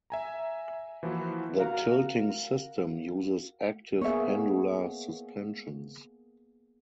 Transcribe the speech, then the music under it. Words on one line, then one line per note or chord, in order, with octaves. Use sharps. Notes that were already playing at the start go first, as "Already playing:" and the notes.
The tilting system uses active pendular suspensions.
E5 G#5 A#5
E3 F3 A#3 E4 F#4
F#4 A#4 F5
A#3 B3 G#4 C#5 E5